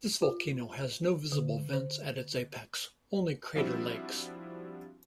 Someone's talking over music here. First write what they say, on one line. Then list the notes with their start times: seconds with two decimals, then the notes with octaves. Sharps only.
This volcano has no visible vents at its apex, only crater lakes.
0.22 F4
1.32 D3
1.73 C5
3.55 F3 G3 C4 D4 E4 F#4